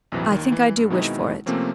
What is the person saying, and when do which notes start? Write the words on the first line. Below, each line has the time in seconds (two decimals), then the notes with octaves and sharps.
"I think I do wish for it."
0.12 A#1 F2 C3 E3 F#3
0.31 D#2 D#3
0.52 E3
0.77 G2
0.90 B2 D#3 G#3 C4 D#4 E4
1.46 C3 F3 A3 A#3 C4 C#4